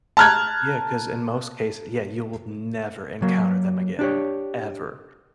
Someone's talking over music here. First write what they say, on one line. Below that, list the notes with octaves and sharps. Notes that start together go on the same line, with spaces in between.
Yeah, 'cause in most case Yeah, you will never encounter them again. Ever.
A5 A#5 F6 F#6 G#6
F#3 A#3
D4 G4 C#5